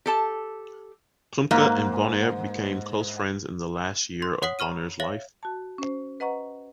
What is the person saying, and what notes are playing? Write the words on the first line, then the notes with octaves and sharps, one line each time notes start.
Klumpke and Bonheur became close friends in the last year of Bonheur's life.
G4 A4 A5
G#2 A#3
C6
C#5 F#5 D#6 B6 F#7
A#5 B5 C#6 F6 D#7
C#5 E5 F5 A#6 F#7
F#4 A5
C#4 C5
B4 D#5 F#5 A#5 C#6